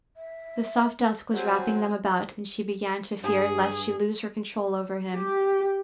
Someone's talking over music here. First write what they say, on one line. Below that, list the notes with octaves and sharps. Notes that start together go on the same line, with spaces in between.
The soft dusk was wrapping them about, and she began to fear lest she lose her control over him.
E5
F#3 C4 G#5
G2 G#4
G4